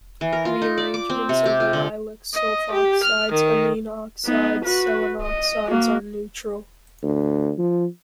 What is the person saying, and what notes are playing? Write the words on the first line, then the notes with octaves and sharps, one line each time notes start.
Rearrangements of allylic sulfoxides, amine oxides, selenoxides are neutral.
E3
A#4
F4
D#4
D5
D6
C4
C3
G4
F4
D3
D#5
G4
F6
D#3
B3 D#4
F#4 B4
D#5
A#3 F#4
D2
F3